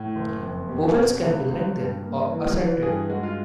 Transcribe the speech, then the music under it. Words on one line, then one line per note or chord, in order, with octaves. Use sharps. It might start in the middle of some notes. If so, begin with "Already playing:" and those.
Vowels can be lengthened or accented.
Already playing: A2
F#1
F2
B2 G4
B2
C#2
C#2
G2
A#3
E3
E3
G2 G#4
G#3 F#4
F4